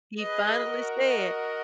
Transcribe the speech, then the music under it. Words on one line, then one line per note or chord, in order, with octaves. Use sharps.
He finally said,
G#4 B4 D#5
F#4 A#4
D#5